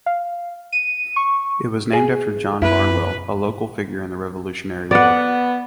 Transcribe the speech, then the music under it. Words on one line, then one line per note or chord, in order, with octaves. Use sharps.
It was named after John Barnwell, a local figure in the Revolutionary War.
F5
D#7
C#6
G#4
F#2 B3 E4 B4
B3 D5 F#5